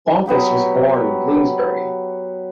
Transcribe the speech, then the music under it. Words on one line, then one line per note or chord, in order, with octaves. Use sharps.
Bompas was born in Bloomsbury.
F#3 B3 G4 F#5